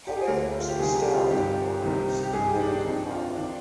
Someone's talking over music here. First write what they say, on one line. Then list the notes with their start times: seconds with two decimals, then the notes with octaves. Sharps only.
Her name was bestowed in honor of Sabina and her father.
0.07 G4
0.17 G#4
0.28 D2 D3 A#4
0.60 F4
0.69 G4
0.79 C2 C3 D#3 G#4
0.96 G4
1.14 F4
1.30 G2 D#3 G4
1.82 C2 C3 D#3
2.23 G4
2.33 G2 D#3 G#4
2.47 G4
2.53 D#4
2.60 D4
2.72 D4
2.84 F2 D#3 D#4
3.11 F4
3.36 D#3 D4